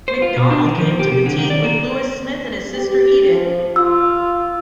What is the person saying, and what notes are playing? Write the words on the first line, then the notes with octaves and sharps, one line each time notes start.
MacDonald came to Petite with Lewis Smith and his sister Edith.
C5
F4
B2
D4
D#3
F3
G4
C3
D3
D#3
D5
A#3
G4
F3
F4 E6